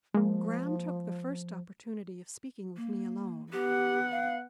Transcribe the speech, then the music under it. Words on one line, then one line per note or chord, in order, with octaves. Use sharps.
Graham took the first opportunity of speaking with me alone.
F3 G#3 A#3
A#3
B3 G4 F#5
F5